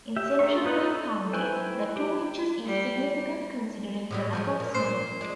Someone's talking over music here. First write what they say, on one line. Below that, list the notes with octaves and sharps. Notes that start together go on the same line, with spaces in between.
In central Lane County, that two inches is significant considering the lack of snow.
G4 E5
D4 G#4 A#4 E5 C#6
B3 D#4 B4 D5
A4
E4 B4 C5 G5 G#5
G4
G3
A2 F#3 G3
F3 G3 G#3
A#2
C5
G#3 D4